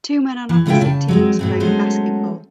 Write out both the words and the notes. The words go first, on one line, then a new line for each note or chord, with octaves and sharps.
Two men on opposite teams playing basketball.
E3
A2 C#3 G#3 F4 E5 G5
C#3 A5
F#3 G#3 C4
G#2 B2 C4
F#3 G#3 A3 C#4 C5